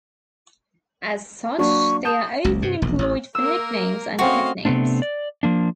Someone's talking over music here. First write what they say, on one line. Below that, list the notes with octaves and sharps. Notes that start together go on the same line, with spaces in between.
As such, they are often employed for nicknames and pet names.
F#3 A#3 D4 C#6
A5 D#6 G6 E7
F#1 C#2
G2 C3
E1 A#1
A1
A#3 A#4 E6
A3 C4 C#4 F#4 D#5 F5
C3 A3 B3 C4 D4
D5
F3 A#3 D4